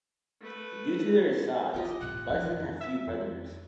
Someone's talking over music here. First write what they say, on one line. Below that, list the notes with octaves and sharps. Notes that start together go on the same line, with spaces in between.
Due to their size, bison have few predators.
A3 B4
F3 F4 G4 D#5
A2 C3 F#6
F2 E3 F3 D#4
E5
F2